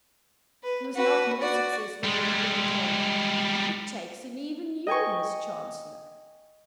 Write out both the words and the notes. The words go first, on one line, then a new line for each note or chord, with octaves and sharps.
He was not more successful when he went on: "It takes in even you, Miss Chancellor!"
B4
F#4 B4
F#4 D5
G3 G#3
D#5 G5 G#5 C#6